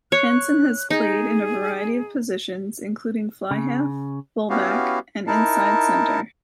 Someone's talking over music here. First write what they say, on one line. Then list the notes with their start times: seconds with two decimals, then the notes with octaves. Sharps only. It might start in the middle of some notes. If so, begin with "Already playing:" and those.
Henson has played in a variety of positions including fly-half, fullback and inside centre.
0.12 C#5 F#6
0.90 D#4 G#4
3.51 C#3
4.50 B3 C#4 E4 F#4 G4 F5
5.27 D#4 E4 A#4 A5